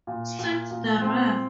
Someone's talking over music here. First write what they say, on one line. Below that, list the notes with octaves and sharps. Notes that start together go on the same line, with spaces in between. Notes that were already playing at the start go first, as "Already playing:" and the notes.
Since the Rev.
A#2
A#2
A#2
C4